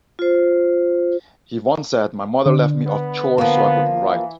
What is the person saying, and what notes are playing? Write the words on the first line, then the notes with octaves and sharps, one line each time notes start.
He once said, My mother left me off chores so I could write.
F4 C5
D3
B3 B4
F3 A#3 B3
E3